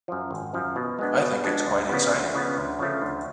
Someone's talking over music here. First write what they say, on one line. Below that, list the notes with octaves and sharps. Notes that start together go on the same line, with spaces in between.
I think it’s quite exciting.
F#2 F3
G#1
F#2 F3
B2
G#3 B3 D4
B2
G#3 B3 D4
D2
C#3 F3 B3
D2
C#3 F3 B3
D2
C#3 F3 A3
D2